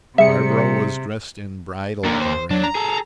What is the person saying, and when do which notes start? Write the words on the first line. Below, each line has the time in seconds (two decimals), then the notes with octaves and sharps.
Barbara was dressed in bridal array.
0.18 C3 G3 G#4 E5 C#7
2.04 D#2 D4 A#4
2.21 C5
2.51 F#3 D4
2.63 A#5
2.75 G#4 A4